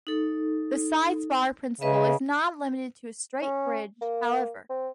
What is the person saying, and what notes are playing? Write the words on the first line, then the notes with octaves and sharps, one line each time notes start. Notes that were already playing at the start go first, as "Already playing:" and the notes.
The side-spar principle is not limited to a straight bridge, however.
D#4 A4
C#3 B4 D#5 E5
C#4
A#3
C4